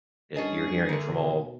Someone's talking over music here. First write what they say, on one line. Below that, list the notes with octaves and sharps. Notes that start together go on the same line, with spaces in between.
Eh, you're hearing it from all
G2 C#4 G#4 A4 D#5
D3 A3 A#4
B2